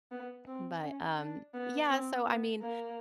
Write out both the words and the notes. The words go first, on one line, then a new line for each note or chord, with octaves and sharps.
But, um, yeah, so, I mean,
B3
C4
C#4
D4
B3
C4
B3
A#3